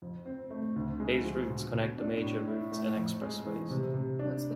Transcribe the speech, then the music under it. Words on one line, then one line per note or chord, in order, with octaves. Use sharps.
These routes connect the major routes, and expressways.
F2
C4
A3
D2
G#3
F3
B2
B2
D4
A2
E4
A3
F2
G#3
E3
C3
C3
D4